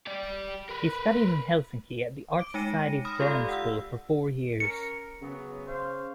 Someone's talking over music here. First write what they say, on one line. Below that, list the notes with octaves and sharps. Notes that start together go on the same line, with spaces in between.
He studied in Helsinki at the Art Society's Drawing School for four years.
G4 D5
A#4 B4
D6 D7
G#3 D#4 G5 A#6 C#7 D#7
B5 D#6 F6 A#6
F4 G4 A4 D5 F5
F#5 E6
C#4 A#4 C#7
C#3 F#3 B3
C5 C#5 F5